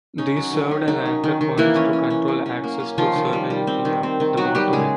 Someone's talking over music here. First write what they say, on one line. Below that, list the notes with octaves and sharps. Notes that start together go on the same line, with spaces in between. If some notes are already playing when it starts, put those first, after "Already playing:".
These served as anchor points to control access to Seville via the waterway.
C#4 D#4
F#3
D#3
C#4
F#3 D#4
C#4
D#3
D#3
E3 A#3 E4
C#4
C#4
C#4
F#3
C#4
A#3
C#4
D#3 F3 F4
D#3
G3
G3
C4
D#3
C4
D#3
F#3 B3 F#4
F#3 G3 G4
C#3 G#3 G#4